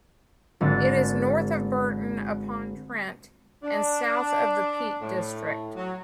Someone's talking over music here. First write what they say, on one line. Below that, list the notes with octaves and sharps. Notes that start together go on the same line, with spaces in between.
It is north of Burton upon Trent and south of the Peak District.
G#1 G#2 D3 E6 A6
D4
A2
F#3